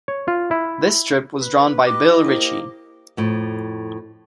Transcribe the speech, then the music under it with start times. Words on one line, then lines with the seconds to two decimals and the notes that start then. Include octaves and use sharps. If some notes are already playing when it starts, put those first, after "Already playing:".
This strip was drawn by Bill Ritchie.
0.08 C#5
0.28 F4
0.51 E4
1.41 B4
1.87 G4 D#5 D6
2.25 A#3 E4 C5
3.17 F2 A2